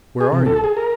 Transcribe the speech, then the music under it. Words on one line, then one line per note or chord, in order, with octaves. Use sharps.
"Where are you?"
G#4
C3
A4
G#4
A#4